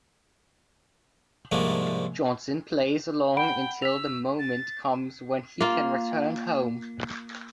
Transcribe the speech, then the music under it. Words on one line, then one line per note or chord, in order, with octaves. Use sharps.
Johnston plays along until the moment comes when he can return home.
C2 G#2 F3 A3 A#3 D4
F#5 G5 B5 D7
E6 B6 F7
A6
A#3 F4